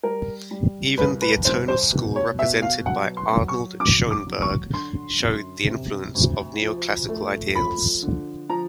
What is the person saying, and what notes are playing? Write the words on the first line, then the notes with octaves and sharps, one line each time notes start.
Even the atonal school, represented by Arnold Schoenberg, showed the influence of neoclassical ideas.
G3 A#4
G3
C2 B4
B4
C2 C5
C5
B2
C#5
B2 E5
F5
F#3 F#5
C6
F#3
C#6
F#3 D6
D6
F#3
C#6
D3 C6
F#2
C3
D2
F3
A3
F3 B5
D3
F3 A#5